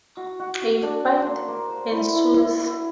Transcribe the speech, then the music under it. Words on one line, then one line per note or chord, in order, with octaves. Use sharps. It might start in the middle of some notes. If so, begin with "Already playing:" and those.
A fight ensues.
F#4
F#4
F#4
D4
C5
A#3
A#3
C5
E4
E4
E4
E4